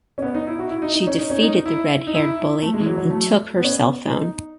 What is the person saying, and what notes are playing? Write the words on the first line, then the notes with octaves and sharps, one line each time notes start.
She defeated the red haired bully and took her cell phone.
C#4
B3
D#4
E4
F#4
E4
D#4
D#4
C#4
D#4
C#4
D#4
E4
D#4
E4
A3
G#3
E3
F#3
F#3
A3
B3
C#4
B3
D#4